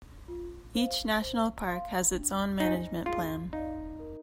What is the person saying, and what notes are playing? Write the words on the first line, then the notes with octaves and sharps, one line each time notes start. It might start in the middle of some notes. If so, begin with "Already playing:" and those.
Each National Park has its own management plan.
F4
C5 F5
C5
F5 C6
D4
D#4 G4 C5 D#5 G#5
F4 G#4
D#4 D5 F5
A#4